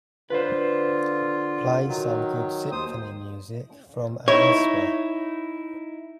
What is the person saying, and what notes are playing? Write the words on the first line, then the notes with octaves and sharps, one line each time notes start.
Play some good symphony music from Avispa.
D3 F4 B4 C5
D#3 F#3
D#2 C5 D#6
D#4 E4 C#5